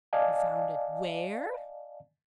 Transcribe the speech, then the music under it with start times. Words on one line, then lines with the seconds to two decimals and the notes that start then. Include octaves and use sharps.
"You found it--WHERE?"
0.13 D5 D#5 F5 G#5 A5